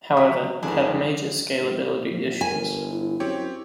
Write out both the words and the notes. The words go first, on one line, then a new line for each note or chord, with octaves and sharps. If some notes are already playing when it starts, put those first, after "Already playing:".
However, it had major scalability issues.
F#3 D#6 B6
C2 F2 G#2 D#3 D4 G#5
G#1
A#2
G1 A#4 G#5
E4
F#2 C4 G4 C#5